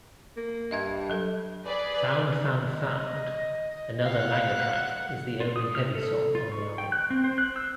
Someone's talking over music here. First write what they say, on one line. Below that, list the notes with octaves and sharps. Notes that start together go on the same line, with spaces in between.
"Found Found Found", another Langer track, is the only heavy song on the album.
A#3
G2 D#5 E5 G#6
F#3 A4
G#4 B4 D5
D#5
F5 F#5
F4
D#6
F6
A4
F4
C#6
G5
F#6
C4
C5
F#6
E6